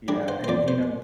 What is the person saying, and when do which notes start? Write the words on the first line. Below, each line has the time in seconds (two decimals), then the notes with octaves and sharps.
Yeah, and, y you know
0.08 G3 D4
0.28 C5
0.44 C5
0.48 F2 D5
0.68 C5